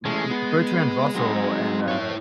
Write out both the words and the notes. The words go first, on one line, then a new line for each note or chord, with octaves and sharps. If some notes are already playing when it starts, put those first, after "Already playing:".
u u Bertrand Russell and, uh
E3 G#3 A3 C#4
B3
F#3 C4 D#4
E4 C#5